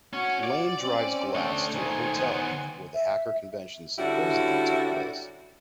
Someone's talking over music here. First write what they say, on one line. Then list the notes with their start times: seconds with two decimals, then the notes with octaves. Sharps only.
Lane drives Glass to a hotel where the hacker convention supposedly took place.
0.13 C#4 F#4
0.43 D5
0.80 C4 C#4
1.35 A3 D4
1.74 D#3 A3 C5 G#5
2.17 D#3 B3
2.94 E5
3.99 D3 G3 C#4 E4 F#4